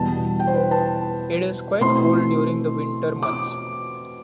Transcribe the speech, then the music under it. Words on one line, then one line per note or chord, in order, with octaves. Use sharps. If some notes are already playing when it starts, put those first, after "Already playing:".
It is quite cold during the winter months.
Already playing: E2 B2 G3 B3 E4 A5
G5
C5
B4
A5
B2 A3 C4 E4 C6
D6